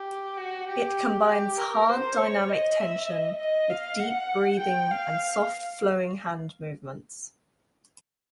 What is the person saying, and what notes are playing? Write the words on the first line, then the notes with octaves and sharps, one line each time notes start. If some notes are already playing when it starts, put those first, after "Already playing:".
It combines hard dynamic tension with deep breathing and soft flowing hand movements.
Already playing: G4
F#4
G4
G4
A#4
C5
C#5
D#5
E5
D#5
D#5
F5
F#5
G5
F5